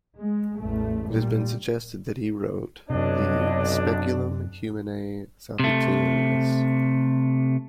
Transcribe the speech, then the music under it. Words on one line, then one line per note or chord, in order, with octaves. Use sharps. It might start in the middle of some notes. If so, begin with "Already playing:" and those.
It has been suggested that he wrote the "Speculum Humanae Salvationis".
G#3
A1 E2 A3
A#2 G3
B1 F#2 C3 D4 C#5 D#5
C3 A3